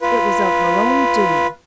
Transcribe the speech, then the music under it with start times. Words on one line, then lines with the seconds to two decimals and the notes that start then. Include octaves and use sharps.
It was of her own doing.
0.02 F4 B4